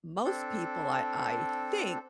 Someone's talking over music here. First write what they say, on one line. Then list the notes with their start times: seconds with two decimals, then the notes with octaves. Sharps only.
most people I I think
0.25 C4 D4 A4